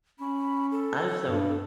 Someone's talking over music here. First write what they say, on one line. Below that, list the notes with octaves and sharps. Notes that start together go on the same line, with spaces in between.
I just don't
C#4 B5
A4
G2